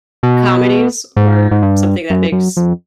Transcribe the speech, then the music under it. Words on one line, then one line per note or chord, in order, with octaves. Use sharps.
comedies, or something that makes
B2
G#2
G#2
G2
F#2
F#2
F2